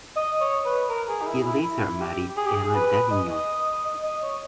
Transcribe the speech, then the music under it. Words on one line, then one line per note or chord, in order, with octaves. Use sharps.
He later married Emma Davignon.
D#5
C#5
B4
A#4
G#4
D#4
E4
E4
E4
G4
G#4
G4
G#4
B4
D#5
D#5
D#5
C#5